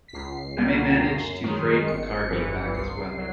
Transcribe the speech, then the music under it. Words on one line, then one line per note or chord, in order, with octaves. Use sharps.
I may manage to freight a cargo back as well.
B6
C#2 C7
B2 G3 A#3
F#2
D#3 G#3
G1 C#7
G2 E3
C2 C7
F#3